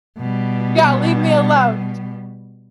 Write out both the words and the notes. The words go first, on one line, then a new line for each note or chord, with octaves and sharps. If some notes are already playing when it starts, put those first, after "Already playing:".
Yeah, leave me alone.
B2 G3